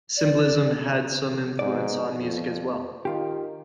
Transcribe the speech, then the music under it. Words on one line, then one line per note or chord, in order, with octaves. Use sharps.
Symbolism had some influence on music as well.
D5
G#2 D5
F2
D#3 F4 G4